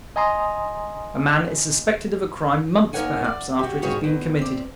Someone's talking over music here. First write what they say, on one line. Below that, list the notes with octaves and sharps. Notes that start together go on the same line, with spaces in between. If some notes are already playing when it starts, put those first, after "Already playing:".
A man is suspected of a crime months perhaps after it has been committed.
D#5 G#5 A#5 C6 D#6
A#3 D#4 A#4 C#5 F#5 G#5
D5
F#4 G4
G#2 G3 A#3 F#4 G#4 C#5
E2
C4 D5